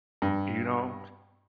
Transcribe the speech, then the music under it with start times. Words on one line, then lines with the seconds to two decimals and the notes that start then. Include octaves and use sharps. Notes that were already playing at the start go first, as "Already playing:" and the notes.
you know,
0.22 G2